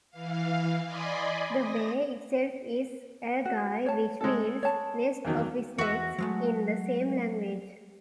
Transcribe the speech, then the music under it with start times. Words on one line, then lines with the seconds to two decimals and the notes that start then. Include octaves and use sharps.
The bay itself is Allagai, which means "nest of snakes" in the same language.
0.11 E3 F5
0.85 D5 D#5 G#5 B5 C6 D6
1.57 D#6 A#6
3.45 F#4
3.86 C#5 A5
4.21 G#3 A4
4.63 C#5 A5
5.25 E2 D#3 F#3
5.79 E2 F#4 E5
6.18 F#3 G#3 A3